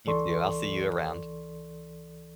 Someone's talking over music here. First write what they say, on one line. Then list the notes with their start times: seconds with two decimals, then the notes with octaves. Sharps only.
You too. I'll see you around.
0.07 C#2 E3 A4 D5 C6 C#6